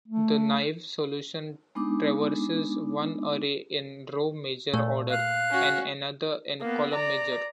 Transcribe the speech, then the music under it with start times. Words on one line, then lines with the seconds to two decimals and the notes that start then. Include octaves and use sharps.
The naive solution traverses one array in row-major order and another in column-major.
0.08 A3
1.75 G#3 B3 D4 D#4 D6
4.74 A#2 A3
5.09 F5 F#6
5.51 C#4 F#4
6.62 A#3 B3
6.95 D5 A#5